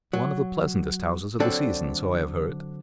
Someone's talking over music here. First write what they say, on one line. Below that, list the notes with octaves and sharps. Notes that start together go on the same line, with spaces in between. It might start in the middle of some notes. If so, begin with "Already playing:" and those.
One of the pleasantest houses of the season, so I have heard.
F#3
D3 F#3 C4 D4 A4